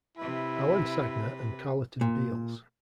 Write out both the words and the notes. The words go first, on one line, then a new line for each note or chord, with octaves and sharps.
Alan Sagner and Carleton Beals.
C3 E4 B4
A#2